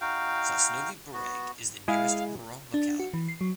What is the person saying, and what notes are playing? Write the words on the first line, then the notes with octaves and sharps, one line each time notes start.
Sosnovy Bereg is the nearest rural locality.
D#4 F#4 F5 G5
B3 F#4
G#3 E4 G#4 F5
D4
F#4
E3
C7
F#3